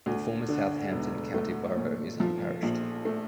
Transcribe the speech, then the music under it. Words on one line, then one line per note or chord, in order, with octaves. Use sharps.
The former Southampton County Borough is unparished.
D2
D3
E1
A3
A#2
F3
A#1
A3